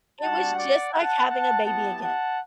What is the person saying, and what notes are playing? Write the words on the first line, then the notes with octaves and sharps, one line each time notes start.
It was, just, like having a baby again.
G3 D4 F#4 F#5 A5
D5 F#5
F#5 A5
F#5 A5
B3 E4 G4 F#5 A5
F#5 A5